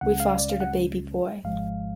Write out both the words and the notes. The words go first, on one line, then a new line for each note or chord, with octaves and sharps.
We fostered a baby boy.
C#2 C#3 G#3 C#4 F#5
F5
D5
F5
F#5
G#1 G#2 F3 G#3 F5